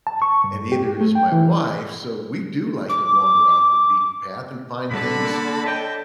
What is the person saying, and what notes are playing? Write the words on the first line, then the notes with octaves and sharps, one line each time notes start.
and neither is my wife, so we do like to wander off the beaten path and find things
A5
C#6
G2
G4
A3
G5
E3
D6
A#2 D3 G3 F#4 A5 B5
A#3 A#4
C#5 D#5 G5